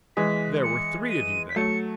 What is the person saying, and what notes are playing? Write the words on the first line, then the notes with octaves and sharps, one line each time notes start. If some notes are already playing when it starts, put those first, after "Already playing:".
"There were three of you, then."
E3 G#3 B6
C#7
D#7
B6
F#3 A3 C#7